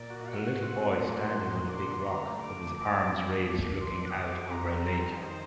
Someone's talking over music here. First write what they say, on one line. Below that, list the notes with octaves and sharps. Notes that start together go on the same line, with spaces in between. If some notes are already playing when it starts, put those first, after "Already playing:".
A little boy standing on a big rock with his arms raised looking out over a lake.
Already playing: A#2 D5
F#4
F#4 F#5
F#4
C4
A3
A#2 C6
D6
F#4 C6
F#4
A#2
D4 D6
C6
D3
D4 A#5
A3
D3 D6
A3
A3
D4
D4
D3
A3
D4
D3 C6
D4
F#6
D#6
F#4
D6
F#4
C4 A#5
C4
G3
D#3
D#3 C5